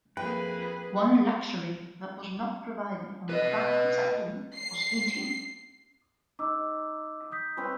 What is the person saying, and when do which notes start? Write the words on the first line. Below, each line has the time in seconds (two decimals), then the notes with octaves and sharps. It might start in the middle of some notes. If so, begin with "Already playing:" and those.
One luxury that was not provided on the "Graf Zeppelin" was heating.
0.17 F2 A#3 G#4 B4 G5
3.30 B4 D#5
4.55 C7
6.39 D#4 D6 E6
7.32 D#6 G6 B6
7.57 C4 B4 C#5